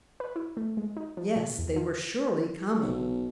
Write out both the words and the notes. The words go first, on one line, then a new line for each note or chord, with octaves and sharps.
Yes, they were surely coming!
B4
E4
A3
G#3
D#4
F3
A#2
E2
F3
B1